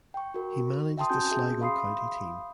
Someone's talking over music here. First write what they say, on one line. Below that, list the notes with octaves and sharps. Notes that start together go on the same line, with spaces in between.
He managed the Sligo county team.
G5 C#6
F#4 A#4
E5 G5 A5 C6 D#6
C4 C#4 F#4 G#5 G6
G#4 E5
E5 F5 B5 C6 D#6 C7